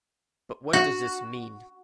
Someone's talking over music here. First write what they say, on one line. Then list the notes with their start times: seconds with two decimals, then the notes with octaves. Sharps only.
But what does this mean?
0.73 F#4